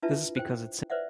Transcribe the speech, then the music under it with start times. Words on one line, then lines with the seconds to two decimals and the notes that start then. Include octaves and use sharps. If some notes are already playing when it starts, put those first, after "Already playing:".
This is because it symbolizes good luck and prosperity.
0.02 D4 E4 F4 B4 E5 A5
0.36 C5 G5
0.90 B4 C5 D5 E5 F#5